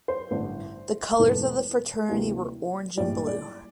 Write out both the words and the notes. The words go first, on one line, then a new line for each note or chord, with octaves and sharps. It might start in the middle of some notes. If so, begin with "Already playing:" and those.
The colors of the Fraternity were orange and blue.
C5
A1 G2 D3 C5
E1 E2 E3 A3
D2 C3 E3 G3 A#3
A#1 A2 G3 D5
D5